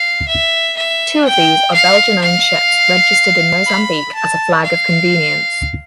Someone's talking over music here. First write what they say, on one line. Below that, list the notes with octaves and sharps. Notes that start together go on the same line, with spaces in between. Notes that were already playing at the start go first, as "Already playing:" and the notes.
Two of these are Belgian-owned ships registered in Mozambique as a flag of convenience.
Already playing: F5
E5
E5
G5
F5
F5
B5
A5
F5